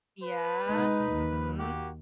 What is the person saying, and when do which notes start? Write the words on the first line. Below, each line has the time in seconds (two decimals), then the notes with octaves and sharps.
Yeah. Mhm.
0.21 B4
0.68 G#3 D#4
1.13 D#2
1.57 A#3 F#4 G4